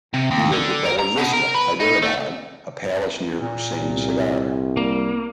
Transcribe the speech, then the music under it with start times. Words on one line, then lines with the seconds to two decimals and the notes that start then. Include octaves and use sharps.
He lived at Bella Vista, Hyderabad, a palace near Hussain Sagar.
0.14 C3
0.31 D#2
0.52 D3
0.85 A#4
0.99 A#5
1.17 B2
1.33 A#4
1.55 B4
1.80 D#4
2.03 A3
3.41 A#2
3.82 C2
4.77 G3 A#3